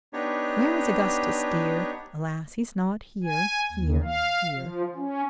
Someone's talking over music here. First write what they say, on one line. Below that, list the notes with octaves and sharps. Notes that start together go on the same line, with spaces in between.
'Where is Augustus dear? Alas! he's not here, here, here!'
B3 D4 D#4 G4 C#5
G#5
D#2
F5
F3
C#4